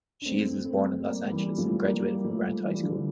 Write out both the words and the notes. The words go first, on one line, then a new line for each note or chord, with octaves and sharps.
Shields was born in Los Angeles and graduated from Grant High School.
D4
A3 C4
A3 C4
G3 A#3
E3 G3
F3 A3
G3 A#3
G3
F3 A3
E3 G3
D3 F3